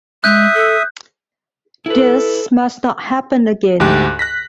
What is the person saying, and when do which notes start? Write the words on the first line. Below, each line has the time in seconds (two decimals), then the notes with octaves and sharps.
This must not happen again.
0.24 G#3 E5 D#6 F#6 G6
0.54 A4
1.86 E4 A4 B4
3.80 D2 G#2 G4 F#6
4.19 F#6 A#6 B6